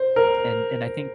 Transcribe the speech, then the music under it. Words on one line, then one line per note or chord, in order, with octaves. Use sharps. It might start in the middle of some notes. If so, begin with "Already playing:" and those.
And and, I think
Already playing: C5
A#4